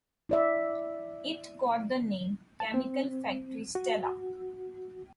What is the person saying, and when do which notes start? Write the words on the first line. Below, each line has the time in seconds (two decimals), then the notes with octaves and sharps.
It got the name Chemical Factory Stella.
0.29 E4 D5 E5
2.60 A5
2.74 C4
3.75 F#4